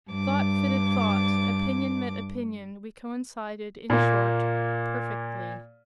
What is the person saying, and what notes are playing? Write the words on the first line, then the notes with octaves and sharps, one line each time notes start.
Thought fitted thought; opinion met opinion: we coincided, in short, perfectly.
G2 D6
A#2 A#3